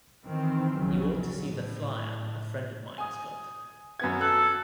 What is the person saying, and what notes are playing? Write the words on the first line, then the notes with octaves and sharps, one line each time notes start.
You ought to see the flier a friend of mine has got.
D#3 E3 C4
A#1 D#2 C#3 F#3
A2
G#5 D#6
F#2 B3 G#6
A4 F#6